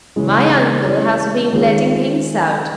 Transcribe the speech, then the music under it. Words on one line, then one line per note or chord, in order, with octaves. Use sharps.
'My uncle has been letting things out.
C#3 E3 G#3
E3 G#3 C#4
D#3 G#3 C#4 F4 G#4